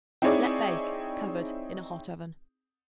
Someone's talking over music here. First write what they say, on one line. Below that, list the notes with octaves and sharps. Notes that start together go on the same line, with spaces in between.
Let bake, covered, in a hot oven.
C4 D#4 E4 G#4 C#5 D5